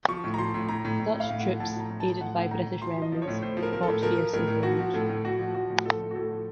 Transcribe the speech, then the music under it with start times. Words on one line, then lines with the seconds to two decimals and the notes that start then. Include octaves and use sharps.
Dutch troops, aided by British remnants, fought fiercely for a week.
0.08 F3 C#6
0.24 A2
0.34 A#5
0.38 F3 C6
0.54 A2
0.69 A2 A#5
0.85 A2
1.00 A2
1.15 A2
1.20 F5
1.30 A2
1.40 F3 F#5
1.60 A2 A5
1.75 F3
1.80 A#5
1.90 A2
2.00 A5
2.06 F3
2.21 A2 F#5
2.36 A2
2.51 A2 A#5
2.66 A2
2.82 F3 C6
2.96 F3
3.02 D#5
3.12 F3
3.22 C#5
3.28 A2
3.42 A2 C5
3.57 F3
3.63 A#4
3.73 F3 A#4
3.83 A2 A4
4.03 F3 A#4
4.18 F3
4.33 A2 A#4
4.48 A2
4.63 F3 F#4
4.79 F3
4.94 A2 A4
5.09 A2
5.24 A2 F#4
5.39 F3
5.54 F3 F#4
5.70 A2
5.85 F3 A4
6.01 A2
6.11 F#4
6.15 A2 A4
6.31 F3